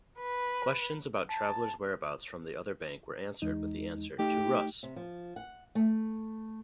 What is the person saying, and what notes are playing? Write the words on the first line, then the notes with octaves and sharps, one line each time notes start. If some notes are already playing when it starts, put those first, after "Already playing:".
Questions about travelers' whereabouts from the other bank were answered with the answer To-Rus!
B4
A5
E2 G#3 D#4
A3 D#4 G4
C3
F3
F#5
A3